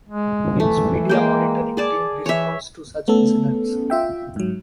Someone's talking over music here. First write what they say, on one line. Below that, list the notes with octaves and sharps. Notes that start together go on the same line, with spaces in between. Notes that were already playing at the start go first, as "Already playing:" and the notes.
Its Media Monitoring Team responds to such incidents.
G#3
E3 A3
G#3 A#3 G5
G#4 D5 A5
E3 C#5 E5
A3 B3 C#4 A4
F4 E5 G5
G#2 F#3